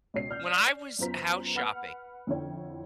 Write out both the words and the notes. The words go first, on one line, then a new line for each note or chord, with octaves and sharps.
when I was house shopping
C#2 B2 C#5 C7
D5 F6 G6
F#2 B3 F4 C5 A#5 B6
B4 F#5 B5 F6
F2 D3 E4 C#5 G5